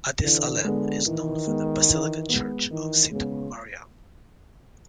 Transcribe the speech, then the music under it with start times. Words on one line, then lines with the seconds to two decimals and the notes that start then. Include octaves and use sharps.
Addis Alem is known for the Basilica Church of Saint Maryam.
0.23 D3 E3
0.65 D3 G#3 B3
1.06 D#3 E3
1.47 G#3 B3
1.88 E3
2.29 G#3 B3
2.70 D#3 E3
3.11 C#3 G#3 B3